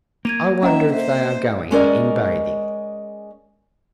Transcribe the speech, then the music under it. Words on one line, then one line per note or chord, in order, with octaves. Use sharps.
"I wonder if they are going in bathing."
A#3 G#6 D#7 F7
C#4 D#5 E5 F#5 A#5
C5 E5
G#3 C#4 A#4 D5 D#5